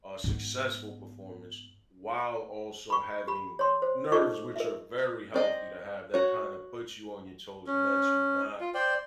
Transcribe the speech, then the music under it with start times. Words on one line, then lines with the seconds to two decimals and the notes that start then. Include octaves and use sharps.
a successful performance while also having nerves, which are very healthy to have, that kind of puts you on your toes and lets you not
0.24 G#2 B3
2.90 B5 C#6
3.28 G4 B5
3.59 C#5 C6
3.82 C5
4.12 D#4 F4 A4 D#5 C#6 D6
4.56 A#4 E5
5.34 C4 D5 D#5
6.14 F#4 C#5
7.67 C#4
8.60 F4
8.74 C5 D5 G5